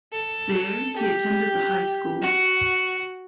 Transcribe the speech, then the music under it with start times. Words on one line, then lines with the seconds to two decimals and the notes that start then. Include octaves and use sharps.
There he attended the high school.
0.12 A4
0.97 G4
2.22 F#4